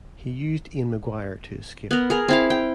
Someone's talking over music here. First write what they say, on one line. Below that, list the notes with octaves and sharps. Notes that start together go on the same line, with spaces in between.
He used Ian McGuire to escape.
B3 A#4
G#4 A#4
C4 E4 F5
G5